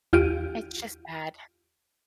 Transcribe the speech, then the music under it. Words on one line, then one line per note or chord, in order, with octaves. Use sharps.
It's just bad.
E2 F4 G4 D7 D#7